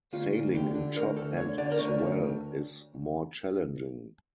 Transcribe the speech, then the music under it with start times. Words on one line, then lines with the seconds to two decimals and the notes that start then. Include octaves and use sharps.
Sailing in chop and swell is more challenging.
0.13 D2 F4
0.34 D2
0.55 D3 G4
0.75 D3
0.96 D2 A#4
1.16 D2 A4
1.36 D3 C#5
1.58 D3 D5
1.72 A#4
1.78 D2 C#5
1.99 D2